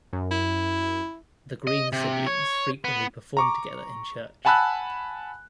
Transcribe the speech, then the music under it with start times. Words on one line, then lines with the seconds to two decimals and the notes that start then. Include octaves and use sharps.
The Green siblings frequently performed together in church.
0.13 F#2
0.31 E4
1.67 D#5
1.93 C3
2.27 C#5
2.85 B3
3.37 A#5 C#6 D6
4.45 F#5 G#5 A5 B5 E6 F#6